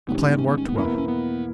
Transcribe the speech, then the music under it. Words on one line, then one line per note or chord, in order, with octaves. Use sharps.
The plan worked well.
G#2 D#3 G3 B3
C#4
B3
C#4
B3
C#4
B3
E2 B2 A#3 C#4 E4 A#4
B3
C#4
B3